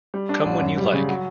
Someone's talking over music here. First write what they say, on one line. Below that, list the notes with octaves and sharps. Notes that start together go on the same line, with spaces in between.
Come when you like.
G3
D4
A1
F#2
G3
C#3
F#3